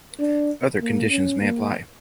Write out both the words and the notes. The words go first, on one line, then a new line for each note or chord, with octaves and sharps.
Other conditions may apply.
D4
A#3
C#4
A#3